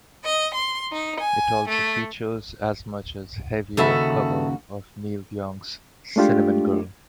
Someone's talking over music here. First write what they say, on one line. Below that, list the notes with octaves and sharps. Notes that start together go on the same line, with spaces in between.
It also features a much heavier cover of Neil Young's Cinnamon Girl.
D#5
C6
D#4
G#5
A3
D#2 C#3 F#4 A4 E5 B5
G#3 A3 D4 F4 G4